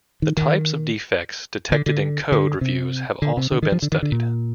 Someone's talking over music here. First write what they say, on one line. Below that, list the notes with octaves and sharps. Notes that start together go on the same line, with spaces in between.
The types of defects detected in code reviews have also been studied.
D#3
D#3
D3
D3
D3
C3
D3
C3
D3
D#3
F3
D3
D#3
D3
A#2